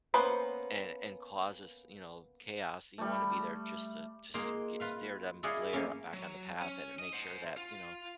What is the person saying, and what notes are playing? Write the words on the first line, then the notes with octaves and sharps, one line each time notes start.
and and causes, you know, chaos, you wanna be there just to, just get steer them clear back on the path and make sure that, you know,
A#3 B3 C#4 B4 C5
G3 A3
G#3 A#3 D#4 F4
F4 B4 F5
E4 G#4 D5 D#5 F5 F#5
A3 A#3 C#4
F#3
C#4
D#5
C5 F#5
F4